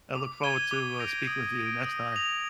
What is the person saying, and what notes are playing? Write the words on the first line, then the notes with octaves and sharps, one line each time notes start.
I look forward to, uh, speaking with you the next time.
D6
G#6 D#7 G7
D6
G6 A#6 D7 F7
D#6
A#6 D7
D#6
A#6 F7